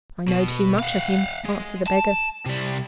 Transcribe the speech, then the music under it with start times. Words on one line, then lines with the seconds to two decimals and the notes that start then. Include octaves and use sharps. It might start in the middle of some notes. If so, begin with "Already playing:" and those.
"I know too much of him," answered the beggar.
0.28 B2
0.79 F5 F#5
1.45 G#3
1.87 A5
2.46 C3 G3